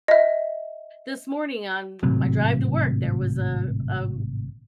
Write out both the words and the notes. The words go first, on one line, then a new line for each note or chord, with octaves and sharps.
this morning on my drive to work, there was a a
D#5 E5
G#1 A2 C3 F#3